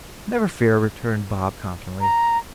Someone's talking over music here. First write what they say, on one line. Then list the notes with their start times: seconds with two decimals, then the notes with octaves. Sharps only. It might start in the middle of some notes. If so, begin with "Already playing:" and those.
"Never fear," returned Bob confidently.
2.01 A#5